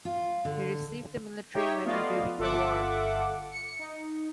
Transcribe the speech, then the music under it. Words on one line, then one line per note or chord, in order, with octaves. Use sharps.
He received the Military Medal during the war.
F4
D3
D#4 G4 C#5 E5 G5
A3 B3 F4 D5 D#5 F5
G1 F4 A4 E5 F#5 D6
C#7
D#4